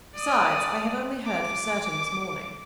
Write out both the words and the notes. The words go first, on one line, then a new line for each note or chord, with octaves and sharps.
"Besides, I have only heard for certain this morning."
D5 D#6
D6